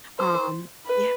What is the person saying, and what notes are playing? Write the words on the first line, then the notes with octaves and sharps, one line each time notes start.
Um, yeah
C5
B4